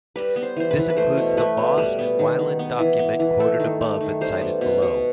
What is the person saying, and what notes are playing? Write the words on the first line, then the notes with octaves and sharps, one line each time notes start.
This includes the Boss and Wilen document quoted above and cited below.
G3 B4
B3
C5
E3 C5
B4
E3
B4
A3 C5
B2
A3 B4
B2
G3 B4
B3
D#3
D#3
B3
E3
B3
E3
A3 A4
D#3
A3
D#3
G3 C5
B3
B2
B2